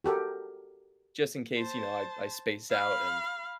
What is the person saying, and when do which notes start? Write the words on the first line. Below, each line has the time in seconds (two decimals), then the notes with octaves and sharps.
just in case, you know, I I space out and,
0.04 F#4 G4 A4 A#4
1.57 C5 A5
2.71 F5 B5